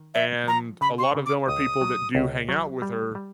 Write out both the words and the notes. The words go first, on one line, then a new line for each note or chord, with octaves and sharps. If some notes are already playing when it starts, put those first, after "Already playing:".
And a lot of them are people that do hang out with her.
Already playing: D#3
F3 E5
F3 A#5
C#3 B5
C6
C#6
C#3
D6
C#2 D#6
F#3
C#2
F#3
G3
G3